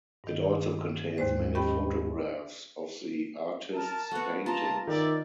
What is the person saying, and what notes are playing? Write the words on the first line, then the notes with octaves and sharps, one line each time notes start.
It also contains many photographs of the artist's paintings.
G2 D#3
D#2 G#2 G#3 C5 D5
C#4 G4 D#5 G5 B5
A#4 A5
A3 B3 F#4
F4 D#5 A5 A#5
D#3 D5 E5